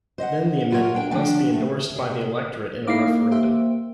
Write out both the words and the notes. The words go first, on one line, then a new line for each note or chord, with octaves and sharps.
Then the amendment must be endorsed by the electorate in a referendum.
C5 D#5 E5 F#5
F#3 A3 F4 A#4 C#5 F#5
D4 G5
D3 F3 A3 D4 G5
A3
C3 G#4
A#3 D#4 E4 F5 D6 C7
A#3
G4 C5 E5